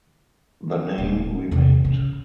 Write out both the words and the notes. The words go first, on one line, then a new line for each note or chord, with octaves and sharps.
The name remained.
D#1
E2 C3
C#3